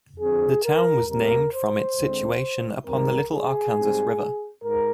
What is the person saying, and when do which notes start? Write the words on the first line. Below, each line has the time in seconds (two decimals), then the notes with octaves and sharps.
The town was named from its situation upon the Little Arkansas River.
0.19 D3 F3 C4 G#4
0.63 A#4
1.08 C3 G3 A#3 A#4
1.53 C5
1.97 D3 G#3 C4
2.85 G#2 D#3 G3 C4 A#4
3.29 G#4
3.74 G#2 G3 C4
4.62 G#2 A#4